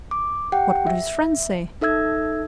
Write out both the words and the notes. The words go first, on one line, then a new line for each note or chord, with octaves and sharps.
What would his friends say?
D6
G4 F#5 G5
E5
D#4 A4 E5 E6 G#6